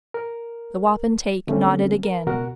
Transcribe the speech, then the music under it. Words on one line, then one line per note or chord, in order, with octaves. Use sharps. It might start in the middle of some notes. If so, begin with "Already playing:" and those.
The wapentake nodded again.
A#4
D3 G3 A3 A#3 C4 C#4
A#4
C#2 B2 F#4 A#4 F#5